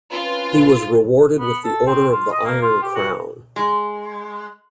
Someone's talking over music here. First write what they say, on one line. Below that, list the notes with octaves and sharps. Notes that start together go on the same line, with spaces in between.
He was rewarded with the Order of the Iron Crown.
C4 C#4 F4 B4
B3
A4
C4
F4
D#5
A#3
F4
G4
F#4
G#3